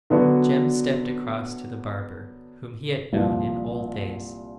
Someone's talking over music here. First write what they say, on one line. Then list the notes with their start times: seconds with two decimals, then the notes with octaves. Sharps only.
Jem stepped across to the barber, whom he had known in old days.
0.10 D3 F#3 B3 D4 F#4
3.13 C2 A#2 F3